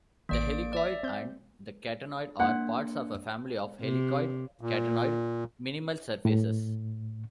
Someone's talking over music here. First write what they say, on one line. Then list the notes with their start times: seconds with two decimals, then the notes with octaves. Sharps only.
The helicoid and the catenoid are parts of a family of helicoid-catenoid minimal surfaces.
0.29 A1 D#3 A#3 D5 D7
0.73 D5 E5
1.03 C4 G6
2.40 A#3 D4 F#5
3.82 C3
4.61 A#2
6.25 A2